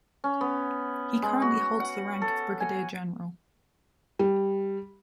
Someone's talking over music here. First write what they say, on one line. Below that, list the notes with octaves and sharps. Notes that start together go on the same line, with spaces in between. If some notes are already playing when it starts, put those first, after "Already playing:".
He currently holds the rank of Brigadier-General.
C#4
B3
G#3
F#4
F#5
A4
G#5
G3